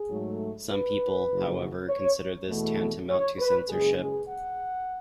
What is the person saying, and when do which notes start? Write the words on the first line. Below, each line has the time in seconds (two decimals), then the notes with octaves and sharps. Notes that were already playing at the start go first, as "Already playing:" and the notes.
Some people, however, consider this tantamount to censorship.
Already playing: G#4
0.10 G#2 F#3 A3
0.70 B4
1.30 F#1 F#2 C#3 F#3
1.89 C#5
2.50 E2 B2 A3
3.09 C#5
3.39 B4
3.69 F#1 F#2 C#3 G#3 G#4
3.99 G#4
4.29 F#5